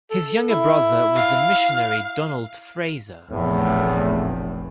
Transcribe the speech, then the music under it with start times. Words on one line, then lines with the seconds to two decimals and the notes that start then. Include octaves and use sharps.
His younger brother was the missionary Donald Fraser.
0.11 A4
0.50 E4
1.15 F5
3.30 F1 A#1 E2 A2